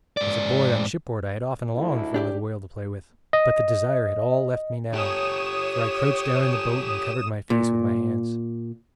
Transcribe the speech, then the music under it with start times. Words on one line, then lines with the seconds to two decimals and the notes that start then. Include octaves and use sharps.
As a boy on shipboard I had often longed for a little whale to play with, but the desire had all left me now, for I crouched down in the boat and covered my face with my hands.
0.17 G#2 D5
1.75 D2 G#2 E4
2.14 D4 G4 D5
3.33 D#5
4.94 G4 A4 C#5 D#6 E7
7.50 A#2